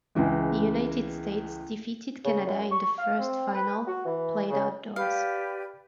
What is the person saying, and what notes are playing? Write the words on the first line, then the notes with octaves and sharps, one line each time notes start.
The United States defeated Canada in the first final, played outdoors.
C#2 C#3 E3 G#3
C#3
F#2
C#6
F5
C4
B4
F#4
E3
C#3
G4 B4 D5 F5